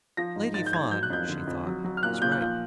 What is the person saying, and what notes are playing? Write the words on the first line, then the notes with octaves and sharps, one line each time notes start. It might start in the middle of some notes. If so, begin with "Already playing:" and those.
Lady Fawn, she thought, was right.
F3 A#6
G#2
G#2 A6
G6
G#2 G#6
F#3 G6
F#6
F2 G6
D3
F2
F#3
F#3
F6
A#2 F#6
A#2 G6
F#6
F3 G6